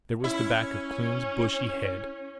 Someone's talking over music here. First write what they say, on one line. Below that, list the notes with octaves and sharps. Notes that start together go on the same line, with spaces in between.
There was the back of Kloon's bushy head.
C#4 E4